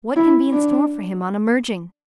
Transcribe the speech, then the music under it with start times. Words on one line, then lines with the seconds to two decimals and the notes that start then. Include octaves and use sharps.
What can be in store for him on emerging?
0.16 E4
0.53 D4